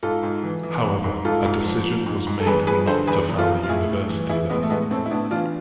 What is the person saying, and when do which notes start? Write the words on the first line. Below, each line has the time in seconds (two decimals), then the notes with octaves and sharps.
However, a decision was made not to found the university there.
0.03 G#2 F4 A4
0.23 G#2
0.43 E3
0.63 E3
0.84 G#2
1.04 G#2
1.25 G#2 F4 A4
1.45 G#2
1.65 F3
1.85 F3
2.06 G#2
2.27 G#2
2.40 A4
2.47 E2 G#4 B4
2.67 F3 G#4 B4
2.87 D3 A4 C5
3.07 E2 G#4 B4
3.28 E2
3.38 F4 A4
3.48 F3
3.63 F4
3.68 A2 E4 G#4
3.89 A2
4.09 E3
4.29 E3 E4 G#4
4.50 A2 G#3 B3
4.63 A3
4.70 A2 G#3 B3
4.91 A2 A3 C4
5.06 E4
5.11 A2 B3 D4
5.31 E3 D4 F4